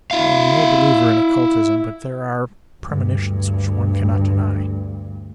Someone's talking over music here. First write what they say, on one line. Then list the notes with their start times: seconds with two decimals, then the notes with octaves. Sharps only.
I am no believer in occultism, but there are premonitions which one cannot deny.
0.11 E4 F5
2.83 D2 G2